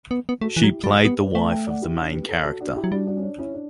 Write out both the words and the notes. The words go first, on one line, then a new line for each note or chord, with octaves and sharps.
She played the wife of the main character.
B3
B3
A3 F#4 A4
E3
F#3 E4 G4
G3 F#4 A4
B3 G4 B4
B4 D5
A3
A5
E5 G5
D5 F#5
E4 G4
D4
G4 B4
A4 C#5
F#4 A4
D4 F#4
E4 G4
F#3
G3 D4 F#4
D4 F#4
C#4
D4
C#4 E4
D4